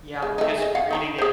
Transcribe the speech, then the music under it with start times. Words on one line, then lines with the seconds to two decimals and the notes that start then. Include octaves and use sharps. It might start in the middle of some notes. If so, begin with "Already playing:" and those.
Yeah. Just reading it,
0.22 G#3
0.38 A3 D#4
0.58 G#4 D#5
0.75 F5 F#5
0.91 D#3 A#5 B5
1.18 G#4 C5